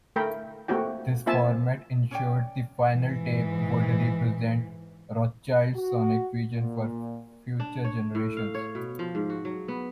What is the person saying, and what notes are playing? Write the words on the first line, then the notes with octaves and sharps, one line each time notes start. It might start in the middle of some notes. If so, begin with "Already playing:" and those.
This format insured the final tape would represent Rothchild's sonic vision for future generations.
A3 A#4 G5 B5
A3 A#3 C4 F#4 G4 G5
A#3 C4 F4 E5 G#5 A5
C#4 C#5 D5 G5
G#2 E3
F#4
A#2
D4
C#5
A2
F5
C#5
B2
F3
G#2
F#4
F#3
B3